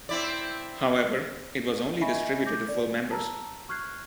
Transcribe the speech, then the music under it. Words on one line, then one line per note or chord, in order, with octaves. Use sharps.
However, it was only distributed to full members.
C4 E4 D5
D#5 E5 G#5 B5 C#6
D6 G6 A#6
D5
A5 A#5 E6
C#6 F6 F#6 G#6 C7